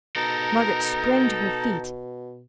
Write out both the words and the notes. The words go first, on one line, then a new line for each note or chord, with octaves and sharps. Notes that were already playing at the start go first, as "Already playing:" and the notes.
Margaret sprang to her feet.
B2 D#4 A4 A#4